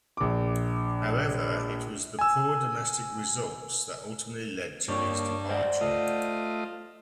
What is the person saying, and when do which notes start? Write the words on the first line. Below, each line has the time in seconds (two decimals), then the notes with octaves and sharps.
However it was the poor domestic results that ultimately led to his departure.
0.17 A#1 D6
2.19 G#5 E6
4.88 G2 A#3 D4 C#5
5.49 C5 D5 F#5
5.81 A3 F4 D#5